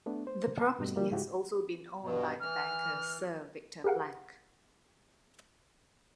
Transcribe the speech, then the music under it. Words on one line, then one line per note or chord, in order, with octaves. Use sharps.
The property has also been owned by the banker Sir Victor Blank.
A3 B3 D4
C5
B4 A5
G2 B2 G3 A3
D3 G3 A#3
G#2 C#3 G#3 E4 F#4 G4
G2 B2
E3 F6
G4 G#4 A#4 F5 F#5